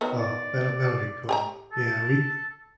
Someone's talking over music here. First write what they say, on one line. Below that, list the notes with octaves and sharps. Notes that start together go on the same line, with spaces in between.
Oh, that'll that'll be cool, yeah, we
D#3 F#3 B3
D5
G4 G#5 A#5
A4